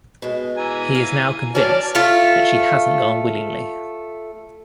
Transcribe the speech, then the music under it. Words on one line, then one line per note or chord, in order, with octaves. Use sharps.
He is now convinced that she hasn't gone willingly.
B2 G#3
E3 G#5 A#5
F5
F#4 C#5 D5 F5 A5 F6
A3 F4